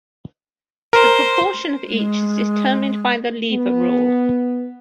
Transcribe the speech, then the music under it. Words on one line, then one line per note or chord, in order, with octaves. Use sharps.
The proportion of each is determined by the lever rule.
A#4 C5
G#3
B3